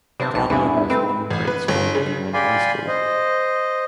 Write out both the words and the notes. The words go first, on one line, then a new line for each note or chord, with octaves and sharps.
Gardner has one grade school and one high school.
C3 B3 C4 C5 A5
B1 G#2 G5 A5
E2 G2 E4 G#4
D#4 E4 E5
A3 C4 B4
A1
B4
G1
C#3
G4 D5 F5 G#5 B5 C6
C5 D#5